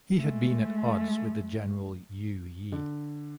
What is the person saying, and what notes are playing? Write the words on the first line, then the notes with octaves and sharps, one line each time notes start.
He had been at odds with the general Yue Yi.
G#3 A3
D3